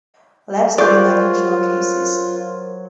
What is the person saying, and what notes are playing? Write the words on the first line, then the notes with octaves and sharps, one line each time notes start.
Labs during unusual cases.
F#3 F4 A#4 C5 D5 C6 C#6 G6